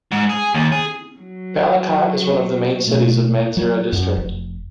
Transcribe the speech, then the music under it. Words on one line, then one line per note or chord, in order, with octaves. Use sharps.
Balakot is one of the main cities of Mansehra District.
G#2
G#4
D#2
G#4
F#3
B2 A3
F#3
F#2
F1